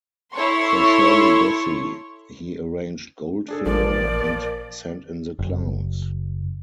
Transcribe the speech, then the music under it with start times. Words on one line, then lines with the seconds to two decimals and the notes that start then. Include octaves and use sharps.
For Shirley Bassey, he arranged "Goldfinger" and "Send in the Clowns".
0.34 E4 A4 C#5 C6 C#6
3.48 D4 G#4 A4
3.66 A1 A#2 F3 A#4 D5
5.39 F#1